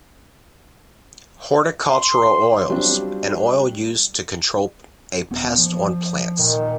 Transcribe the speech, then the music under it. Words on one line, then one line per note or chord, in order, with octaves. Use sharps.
Horticultural oils: An oil used to control a pest on plants.
C6
F#3 G3 C4 D4 F4 G4
D#1 B3
F3
A#2 D#3